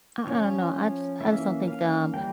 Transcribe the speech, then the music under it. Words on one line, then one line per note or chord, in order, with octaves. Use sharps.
I I don't know, I just I just don't think that, um,
F3 C#4 C#5
E3 A#3 C#4 E5
F5
E3 G3 A#3 G5